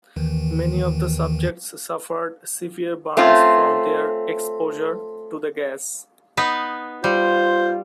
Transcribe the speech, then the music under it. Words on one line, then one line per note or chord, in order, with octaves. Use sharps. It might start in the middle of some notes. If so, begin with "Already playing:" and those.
Many of the subjects suffered severe burns from their exposure to the gas.
D#2 D#3 E3
A3 C4 C#4 F4
B3 D#4 B4
G3 F4 C5